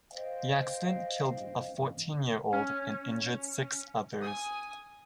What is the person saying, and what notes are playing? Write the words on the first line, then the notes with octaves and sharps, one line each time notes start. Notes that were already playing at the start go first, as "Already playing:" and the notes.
The accident killed a fourteen-year-old and injured six others.
C5 D#5 F5 G5
C#4
G#5 D#6